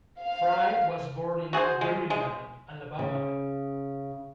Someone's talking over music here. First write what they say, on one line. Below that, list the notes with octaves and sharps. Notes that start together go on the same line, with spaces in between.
Frye was born in Birmingham, Alabama.
F5
F#4 G#4 A4 C5
G#3
G#3
C#3